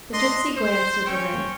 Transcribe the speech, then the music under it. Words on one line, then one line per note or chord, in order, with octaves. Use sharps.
The gipsy glanced at the ring.
D4 D#5 C6
C5
C4 C#4 C#5 G5